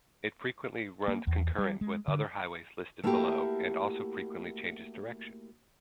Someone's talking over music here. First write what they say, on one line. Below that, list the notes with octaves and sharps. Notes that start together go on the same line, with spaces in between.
It frequently runs concurrent with other highways listed below and also frequently changes direction.
A#3
E2
G3
G#3
D3
A3 A#3 D4 E4 F#4 G4